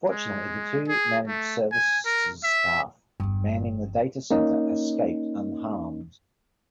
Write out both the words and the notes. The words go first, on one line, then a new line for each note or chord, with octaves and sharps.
Fortunately the two managed services staff manning the Data Centre escaped unharmed.
G#3
G#4
A3
G#5
A#4
E5
G1 E2 G2
A#3 C#4 D#4